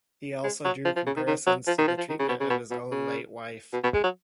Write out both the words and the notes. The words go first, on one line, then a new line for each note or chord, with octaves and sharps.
He also drew comparisons to the treatment of his own late wife.
G#3
F#3
F3
F3
C#3
D#3
D#3
F#3
F3
D#3
F3
F3
D#3
C#3
B2
C#3
B2
B2
C#3
B2
B2
G#3
F#3